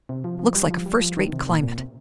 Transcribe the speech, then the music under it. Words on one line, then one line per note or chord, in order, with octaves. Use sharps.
Looks like a first-rate climate.
C3
F3
F3
G3
F3
G3
F3
D#3
C3
A#2
A#2
C3